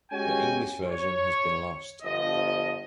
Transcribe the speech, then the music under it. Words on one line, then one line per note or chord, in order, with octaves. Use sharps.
The English version has been lost.
G#3 C#4 F#4 G4 G5 G#5
C#5
G1 F3 D#5